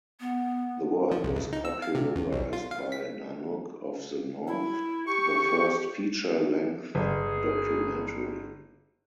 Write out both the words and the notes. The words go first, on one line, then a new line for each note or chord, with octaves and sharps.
The word was popularized by "Nanook of the North", the first feature-length documentary.
B3
F3
C2
C#2
D#4
E6
F5
C3
E2
B1
F4
F5
B6
E4
G4 C#6
G1 G#4